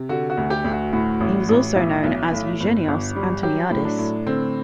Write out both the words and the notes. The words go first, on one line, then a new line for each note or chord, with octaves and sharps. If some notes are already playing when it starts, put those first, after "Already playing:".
He was also known as Eugenios Antoniadis.
Already playing: C3
D3 F#4
F#4
D2
G4
D2
F#4
A2 F#4
A1
A1
B1 E4
B1
A2
G1
G1
G3
F#3 G4
A2
D4
A2
D3 C4